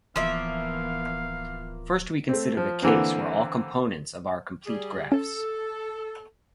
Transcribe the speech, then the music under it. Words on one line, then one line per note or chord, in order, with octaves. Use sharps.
First we consider the case where all components of are complete graphs.
D1 E3 F3 A#3 B3 E5 F5
A3 C4
F3
D3 E3 A#3 C4
G3 G#4
C#4 A4